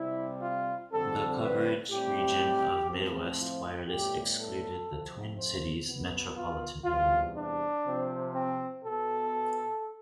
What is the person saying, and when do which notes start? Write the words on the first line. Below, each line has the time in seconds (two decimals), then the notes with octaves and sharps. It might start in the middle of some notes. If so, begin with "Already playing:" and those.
The coverage region of Midwest Wireless excluded the Twin Cities metropolitan area.
Already playing: C3 G3 C4 E4
0.41 F4
0.91 F2 D3 G3 C4 A4
1.41 B4
1.90 A2 G3 C4 G4
2.89 A2 F3 C4
3.39 F4
3.88 A2 G3 B3 G4
4.38 A4
4.88 F2 C3 F3 C4
5.37 C5
5.85 B2 B3
6.35 F4
6.84 E2 C3 G3 F4
7.35 D4
7.84 C3 F3 C4
8.33 C4
8.82 B2 B3 A4